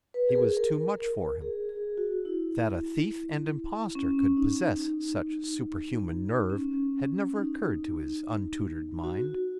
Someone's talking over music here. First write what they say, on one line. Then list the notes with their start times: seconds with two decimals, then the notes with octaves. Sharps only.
He was too much for him. That a thief and impostor could possess such superhuman nerve had never occurred to his untutored mind.
0.14 B4
0.29 G#4
0.35 A#4
0.57 A#4
1.41 G#4
1.69 G#4
1.98 F#4
2.25 E4
3.95 C#4
4.37 D#4
6.50 C#4
7.34 D#4
9.04 F#4